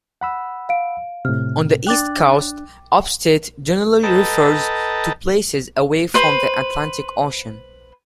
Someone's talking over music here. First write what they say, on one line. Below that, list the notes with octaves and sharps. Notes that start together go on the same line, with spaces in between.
On the east coast, upstate generally refers to places away from the Atlantic Ocean.
F#5 B5 E6
F5 D7
A2 C3 F6
D4 G5 D6 F#6 A6
A4 B4 D#5 G5 A5 A#5
B4 C5 C6